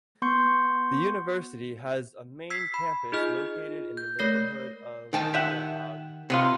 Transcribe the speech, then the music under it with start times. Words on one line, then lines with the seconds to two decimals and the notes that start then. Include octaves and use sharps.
The university has a main campus located in the neighborhood of Ullandhaug.
0.22 B3 C6 C#6 G6 C#7
2.50 E6 G#6 B6 C7
2.74 B5
3.12 D#4 F4 G#4 D#5 F6
3.97 G6
4.19 A3 A#4 C#5 G6 A#6 C7
5.13 D#3 G5 A5
5.34 G4 E5 F#5
6.30 C3 D#3 B3 F4